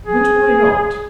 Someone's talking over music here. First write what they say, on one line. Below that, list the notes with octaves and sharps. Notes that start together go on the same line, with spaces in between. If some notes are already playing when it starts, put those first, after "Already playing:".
"But why not?"
G#4